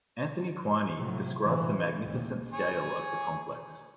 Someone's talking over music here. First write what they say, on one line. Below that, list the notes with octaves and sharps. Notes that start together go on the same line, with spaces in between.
Anthony Quiney describes the "magnificent scale" of the complex.
A2 C3 F3 F#3
A2 D3 E3
A1 D#2 A#2
G#4 C#5 G#5